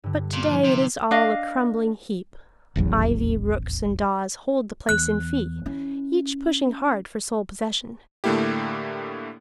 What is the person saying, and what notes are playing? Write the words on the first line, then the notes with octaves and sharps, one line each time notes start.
But today it is all a crumbling heap; ivy, rooks and daws hold the place in fee, each pushing hard for sole possession.
G2 D3
A#2
F3 D#4
C3
D4 D#5 F5
D#1 A1 E2 F#3
E2 F#6
C#4 E4
A2 D3 A3 A#3 E4 G4